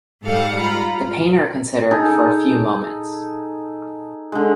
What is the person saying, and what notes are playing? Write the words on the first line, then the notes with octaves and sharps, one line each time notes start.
The painter considered for a few moments.
G#2 G3 A4 F5 F#5 C#7
F4 A#5 B5
D#4 G#4 A4
D3 G#3